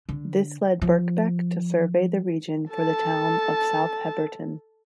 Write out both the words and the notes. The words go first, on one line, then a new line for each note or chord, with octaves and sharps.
This led Birkbeck to survey the region for the town of South Heberton.
D3
F3
A4 A5